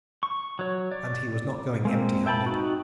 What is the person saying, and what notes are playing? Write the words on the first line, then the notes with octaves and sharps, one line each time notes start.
And he was not going empty-handed.
C#6
F#3 C#5
D5
G#3 A#3 C4
E5 G5 A5 B5
D#4 F#4